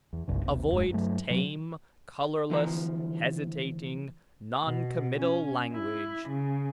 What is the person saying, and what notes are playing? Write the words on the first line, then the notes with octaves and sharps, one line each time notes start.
Avoid tame, colorless, hesitating, non-committal language.
E2
F#1 C2 G2 C#3
A1 D#2 C3
D1 F2 G#2 G#3
G2 F#3 A3
C3 F#3
D2 E3 F3 A#5
B2
C#4
E4
C#3